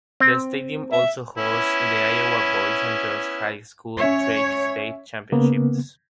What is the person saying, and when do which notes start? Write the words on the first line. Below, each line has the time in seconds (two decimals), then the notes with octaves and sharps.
The stadium also hosts the Iowa boys and girls high school track state championships.
0.20 C4
0.92 E5
1.38 B3 C#4 E4
4.00 C#4 C#5 E5
5.32 C#3 A#3 B3